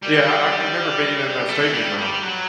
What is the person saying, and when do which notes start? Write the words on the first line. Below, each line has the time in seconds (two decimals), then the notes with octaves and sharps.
Yeah, I I can remember being in that stadium now.
0.02 G3
1.49 A3
1.73 G3
1.98 G3
2.22 F#3